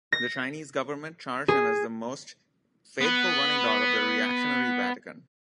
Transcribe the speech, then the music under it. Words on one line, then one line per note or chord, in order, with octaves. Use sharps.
The Chinese government charged him as the most faithful running-dog of the reactionary Vatican.
A#6
G#4
B3 B4